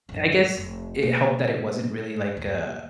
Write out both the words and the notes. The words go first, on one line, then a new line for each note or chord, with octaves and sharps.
I guess it helped that it wasn't really like a
A1 F#2
F1
B2 A#3
D#2